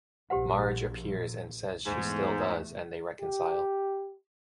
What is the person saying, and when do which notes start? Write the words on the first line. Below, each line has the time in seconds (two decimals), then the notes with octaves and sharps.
Marge appears and says she still does and they reconcile.
0.30 A#1 G4 C5 F#5
1.86 E2 G#2 A3
3.20 G4